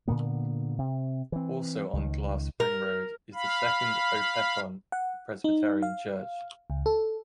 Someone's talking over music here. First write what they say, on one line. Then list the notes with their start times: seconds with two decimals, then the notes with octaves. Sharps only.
Also on Glass Spring Road is the Second Opequon Presbyterian Church.
0.08 A#2 D3 A#3 B3
0.78 C3
1.32 E3 C4
1.93 C#2 D#3
2.60 A#4
3.35 F5 B5
4.92 F#5
5.44 D#4
5.82 F5
6.70 C#2
6.86 A4